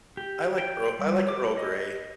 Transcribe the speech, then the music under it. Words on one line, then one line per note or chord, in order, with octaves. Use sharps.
I like Earl I like Earl Grey.
G4
G5
G3
D6
D#5